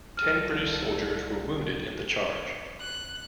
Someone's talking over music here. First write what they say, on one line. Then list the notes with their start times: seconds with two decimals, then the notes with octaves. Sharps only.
Ten British soldiers were wounded in the charge.
0.17 C2 E4 A4 F6
2.81 F#6